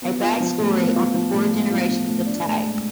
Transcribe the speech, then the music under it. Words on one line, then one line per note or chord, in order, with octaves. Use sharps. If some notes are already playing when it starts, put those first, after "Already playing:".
A back story on the four generations of tags.
B3
F4
F3
A2
B3
F4
F3
A2
B3
F4
F3
A2
D4
A2
G#3